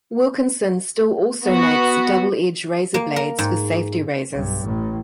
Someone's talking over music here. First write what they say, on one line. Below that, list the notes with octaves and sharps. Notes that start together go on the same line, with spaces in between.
Wilkinson still also makes double edge razor blades for safety razors.
B3 F#4
A#3
A#4
G#2
B1 G2
A1 A2